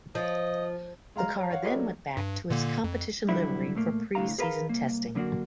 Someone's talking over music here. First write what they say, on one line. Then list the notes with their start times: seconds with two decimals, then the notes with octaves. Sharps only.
The car then went back to its competition livery for pre season testing.
0.15 F3 D#5
1.16 G#3 F5 A#5 F6
1.37 C#5 A#5
1.51 C#5 F5 F#5
1.63 F4 G4 A#4 B4 C#5 D#5
1.75 F#3 A3 D4
2.17 G2
2.50 A#2 D3 A#3
2.84 F2
3.29 G2 B2 D3 F#3 G3 E4
3.75 A#2 A3 A#3
4.15 C2 A2 D3 F5 A#5
4.38 G#4 A#4 B4 C#5 F5 A#5
4.69 C2 A#3
5.15 F#2 D3 A#3 D4 F#4